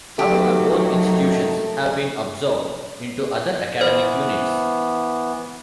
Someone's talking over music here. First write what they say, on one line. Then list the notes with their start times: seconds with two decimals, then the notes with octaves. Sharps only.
However, both institutions have been absorbed into other academic units.
0.19 D#3 F#3 A3 G4
3.81 E3 B3 C5